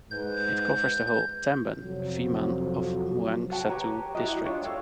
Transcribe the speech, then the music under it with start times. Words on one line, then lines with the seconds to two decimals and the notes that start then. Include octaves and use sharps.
It covers the whole "tambon" Phiman of Mueang Satun district.
0.11 G#2 B4 G6
1.83 F2 C3 F3 F#3
3.51 F#4 F#5 G5 A5
3.69 G4 B4 C#5 A#5
4.15 E4 F#4 G4 D#5
4.45 D4 F4 C#5
4.63 A4 C#5 F5 G5